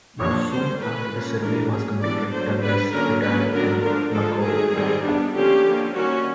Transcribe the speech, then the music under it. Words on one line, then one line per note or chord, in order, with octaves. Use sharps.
Soon after the survey was completed Douglas retired and McColl died.
F3 A#3 D4 C#5
G3 A#3 C#4 C5
E3 A3 C#4 B4
F3 A#3 C#4
E3 A3 D4 A#4
F#3 A#3 C#4 G#4
E3 G3 B3 D4 D5
D3 F#3 A#3 C5
G3 B3 D4 B4
D3 F#3 A#3 C#4 A#4
F#3 A#3 C#4 B4
D3 F#3 B3 D4 A#4
D3 F3 A3 D4 A#4
D3 F3 G#3 A4
D#3 F#3 A3 G#4
D#3 G3 C4
G3 B3 D4
D3 F3 A#3 C#4 G4
D3 F3 A#3 C#4
D#3 G3 A#3 C#4 F#4